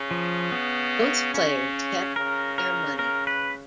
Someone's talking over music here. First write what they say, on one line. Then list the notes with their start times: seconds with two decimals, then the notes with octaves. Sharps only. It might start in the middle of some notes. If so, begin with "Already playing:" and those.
Both players kept their money.
Already playing: C#3
0.11 F3
0.52 B3
1.34 C#3 C#4
2.16 C#3 A#4
2.58 A#4
2.99 A#4
3.27 B4